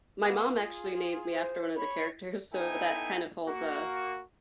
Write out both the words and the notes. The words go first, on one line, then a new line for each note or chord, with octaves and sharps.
My mom actually named me after one of the characters, so that kind of holds a
A#3 B3
F4 G#4
C5
C#5 B5 C#6
B3 D#4 E4 A4 G5 G#5
A#3 F#4